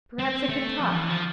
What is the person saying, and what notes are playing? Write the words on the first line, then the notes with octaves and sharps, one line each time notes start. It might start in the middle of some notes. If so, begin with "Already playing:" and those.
"Perhaps it can talk."
C4
A3
F3
E3
F3